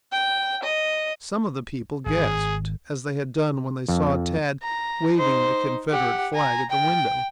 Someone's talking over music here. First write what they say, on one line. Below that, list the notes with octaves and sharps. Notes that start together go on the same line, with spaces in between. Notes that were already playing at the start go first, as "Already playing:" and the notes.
Some of the people gasped, as they had done when they saw Tad waving the Confederate flag at the window.
G5
D#5
G#1 G#4
F2
A#5
D#4 C5
G4 F#5
G#5 A#5
G5